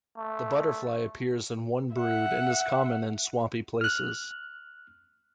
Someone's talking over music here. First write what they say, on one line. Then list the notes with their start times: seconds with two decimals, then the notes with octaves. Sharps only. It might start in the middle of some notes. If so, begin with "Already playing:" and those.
The butterfly appears in one brood and is common in swampy places.
0.18 A3
1.96 E5 F#5
3.81 F6 F#6